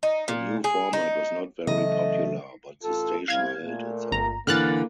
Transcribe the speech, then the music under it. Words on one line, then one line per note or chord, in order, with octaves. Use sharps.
The new format was not very popular, but the station held its own.
D#4
A#2
G#4
D#4
C#3 E3 F#3 A3 D#5
A1 F4 A4
C2 F5 G#6
A#2 A3
G1 A#5
D3 E3 A#3 F6 F#6 A6